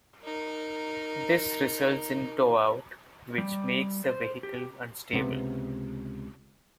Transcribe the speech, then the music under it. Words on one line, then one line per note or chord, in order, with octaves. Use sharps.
This results in toe out, which makes the vehicle unstable.
D#4 A#4
G3
C5
G4
C#2 C3 B3